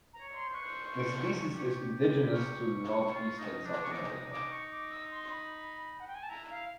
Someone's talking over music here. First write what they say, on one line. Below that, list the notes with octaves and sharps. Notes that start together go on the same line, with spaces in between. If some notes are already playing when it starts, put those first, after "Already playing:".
The species is indigenous to northeastern South America.
A#5
C#5
C6
C5
B4 C#6
C5
G4
C#6
F4
D#4
D4
C#6
D#4 D6
D#6
D6
C#6
D6
E6
C6
B5
F#5
G5
G#5
A5
E4 A#5
F5